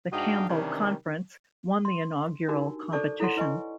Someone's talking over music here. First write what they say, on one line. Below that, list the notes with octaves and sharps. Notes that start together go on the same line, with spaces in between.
The Campbell Conference won the inaugural competition.
G#2 D4 F#4 D#5 F5 G5
C3 D#3 E3 G3 C#4 D4
C6
D4 D#4 F#4 G4 A#4
A4 C5 D5 A5 C#6 D6
E4 A4 C#5 F#5 C6
E4 B4 D#5 G#5 C#6